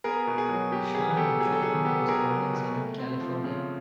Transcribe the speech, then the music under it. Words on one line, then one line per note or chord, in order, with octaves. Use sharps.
Sean McKeown was born in Southern California.
B3 G#4 A#4
B2
G#4
F#3
B2 G4
B3 G#4
B2 G4 A4
F#3 G#4
A4
B2 G#4
B3 G4 A4
B2 G#4 A#4
F#3
B2
A3
C4
F3
C#3